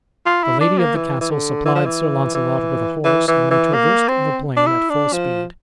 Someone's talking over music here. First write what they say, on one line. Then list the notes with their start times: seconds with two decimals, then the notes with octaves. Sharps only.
The lady of the castle supplied Sir Launcelot with a horse and they traversed the plain at full speed.
0.26 F4
0.44 E4
0.61 D4
0.78 A#3
0.96 E3
1.21 E3
1.30 D3
1.65 E3
1.75 F3
1.86 E3
2.35 E3
3.04 E3
3.28 E3
3.51 E3
3.74 A#3
4.08 C4
4.57 D4
4.66 E4
4.90 D4
5.13 F3